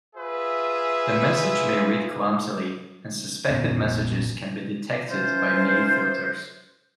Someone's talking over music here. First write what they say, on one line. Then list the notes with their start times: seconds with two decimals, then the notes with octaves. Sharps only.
The message may read clumsily, and suspected messages can be detected by mail filters.
0.16 F4 G#4 B4 E5
3.50 F1 E2 A#2 B3
5.09 E3 F#3 C#4 F4 C5